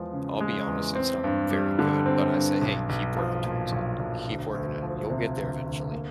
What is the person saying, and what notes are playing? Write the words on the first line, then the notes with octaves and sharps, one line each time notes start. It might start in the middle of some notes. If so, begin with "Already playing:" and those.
I'll be honest, it's not very good, but I say, "Hey, keep working towards it, keep working at it, you'll get there eventually."
Already playing: E2 F3 G#3
C#3
G#3
E2
C4
G2
G3
D3
C4
G2
B1
B1
F3
A#2
B1
B1
D2
D2
F3
C3
D2
D2
A#3